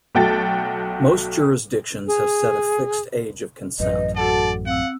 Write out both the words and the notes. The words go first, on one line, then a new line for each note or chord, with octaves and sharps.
Most jurisdictions have set a fixed age of consent.
B1 A3 F#4 G5 A5 A6
G#4
A1 F#2 B4 D#5
F#4 A4 D5 F#5 A5
C4 F5 F#5 E6